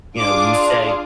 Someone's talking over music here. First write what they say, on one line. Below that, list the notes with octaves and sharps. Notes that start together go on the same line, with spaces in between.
you know, you say
D4 F4 G#4 D6